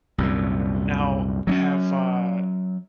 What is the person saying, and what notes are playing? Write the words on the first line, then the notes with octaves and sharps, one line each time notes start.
Now, have, uh
C2 F#2 A#2
F#3 C4 C#4